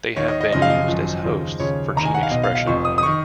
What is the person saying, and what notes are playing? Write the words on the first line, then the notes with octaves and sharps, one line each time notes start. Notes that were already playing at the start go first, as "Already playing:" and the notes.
They have been used as hosts for gene expression.
D#2 D#3 C#5
D#5
D#5
F#1 F#2 C#3 F3 D#5
F5
D#5
G#1 F#2 F3
D#2 C#3 F3
D#2 C#3 F3 C#5
F1 D#2 D#3 A#5
G#5
F#5
F5
B1 B2 D#5
F5
F5
F1 F2 F3 C#6
D#6
D#6
D#3 C#6